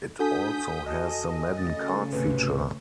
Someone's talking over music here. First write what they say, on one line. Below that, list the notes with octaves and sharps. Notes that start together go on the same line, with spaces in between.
It also has the Madden Card feature.
D4 F#4 A4 G#5 D#6 G6 B6
D#5 A5
C#3 A3 A6
G#1 C3 B4